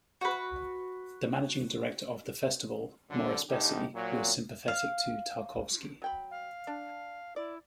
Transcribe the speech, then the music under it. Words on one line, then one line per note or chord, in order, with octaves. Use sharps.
The managing director of the festival, Maurice Bessy, was sympathetic to Tarkovsky.
F#4 B4
C2 F#2 D3
G#1 D2 D#4 G4
A#2 F#3
F5
F#3 G5 B5
F5
D4
E4 D5